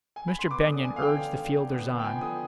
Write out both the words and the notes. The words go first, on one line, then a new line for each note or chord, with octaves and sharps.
Mr. Benyon urged the fielders on.
G#5
B5
C6
B3 D6
D3 D#6
D3 G#5
F5
D3 G5
D3
D3
D3
B3
B3
G5
F3 G#5
D3 D#6